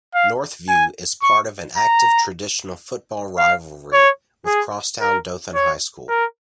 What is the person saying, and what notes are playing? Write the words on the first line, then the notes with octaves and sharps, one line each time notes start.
Northview is part of an active traditional football rivalry with crosstown Dothan High School.
F5
G#5
C#6
A#5
F5
C#5
G#4
A#4
C#5
A#4